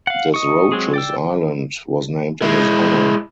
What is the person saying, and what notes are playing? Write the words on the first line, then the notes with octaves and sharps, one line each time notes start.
Desroches Island was named in his honour.
F5 F#5
D#5 C#6
F#3 G#3 C4 G#4
D5 G5 E6
G#3 E4